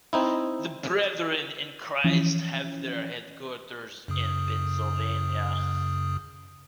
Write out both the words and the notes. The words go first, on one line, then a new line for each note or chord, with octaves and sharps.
The Brethren in Christ have their headquarters in Pennsylvania.
C4 D#4 E4
E3 F3 C#4
F#2 C#3 D#6